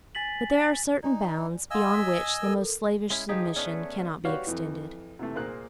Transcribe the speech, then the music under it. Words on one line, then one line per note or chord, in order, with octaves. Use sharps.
But there are certain bounds, beyond which the most slavish submission cannot be extended.
G#5 A6 B6 F#7
D#4 D5 G#5
D#5 F5 F#5 G#5 C6 E6
B6
A4 A#4
G#3 C#4 E4
C#3 F3 D#4 G4 G#4
A3 B3 C#4 D4
F#4 G4 B4 C#5 D5 F5
F2 E3
C3 E3 A3
A#2 A#3 G#4 C5 F#6